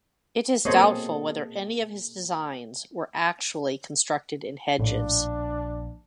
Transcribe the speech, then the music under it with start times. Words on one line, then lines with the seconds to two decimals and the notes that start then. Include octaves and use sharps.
It is doubtful whether any of his designs were actually constructed in hedges.
0.65 B2 A#3 C4 G#4 A4 C5 C#5 D#5
4.79 A#1 A2 D4